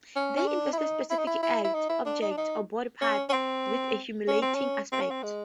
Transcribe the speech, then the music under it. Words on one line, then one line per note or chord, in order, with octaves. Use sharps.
They invest specific acts, objects, or body parts with a humiliating aspect.
C#4
C#4
D4
E4
D#4
E4
D#4
E4
E4
E4
D#4
E4
D4
D#4
D4
D#4
C#4
C#4
C4
C#4
C4
C#4
C4
C#4
C4
G#3